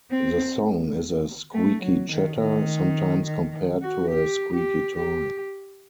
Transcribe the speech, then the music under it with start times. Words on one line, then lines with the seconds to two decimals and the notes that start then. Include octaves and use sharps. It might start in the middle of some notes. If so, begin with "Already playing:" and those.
The song is a squeaky chatter, sometimes compared to a squeaky toy.
0.11 C4
1.53 A3
1.82 F#3
2.10 D#3
2.40 D#3
3.26 D#3
3.81 F#4
4.11 G4
4.53 G4
4.96 G4